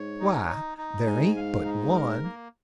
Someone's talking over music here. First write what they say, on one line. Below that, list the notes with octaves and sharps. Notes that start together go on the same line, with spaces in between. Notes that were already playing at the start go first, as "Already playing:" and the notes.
"Why, there ain't but one."
Already playing: G#2 C#5
D#4
D#4
D#4
G#2 G#5
F5
D#4
A#4
A#3